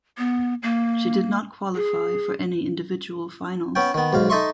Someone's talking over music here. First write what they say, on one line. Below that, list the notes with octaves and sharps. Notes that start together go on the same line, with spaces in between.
She did not qualify for any individual finals.
B3
A#3
G#4
B3 C#4 G5
D#3 B3
B1 G#2 F5
D#4 A4 D#5 E5 C6 C#6